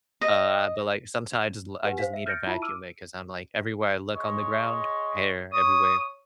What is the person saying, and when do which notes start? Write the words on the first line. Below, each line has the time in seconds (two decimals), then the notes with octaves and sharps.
uh but, like, sometimes I just I just need to vacuum it 'cause I'm, like, everywhere I look on the ground, hair everywhere,
0.21 D#5
1.85 G4 B4 F#5 G#5
1.98 C5 F5 B6
2.13 E5
2.26 F6 G6 A6 A#6 C#7 D7
2.47 E4 F4 E5 A5
2.62 D6 E6 F6 D7 D#7
4.16 G#3 C#5 D#5
5.53 C#5 D#6